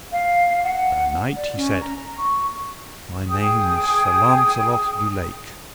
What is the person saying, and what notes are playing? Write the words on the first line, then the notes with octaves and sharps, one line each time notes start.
Fair knight, he said, my name is Sir Launcelot du Lake.
F5
F#5
D5
C#4
A#5
C#6
G#4 G5 D#6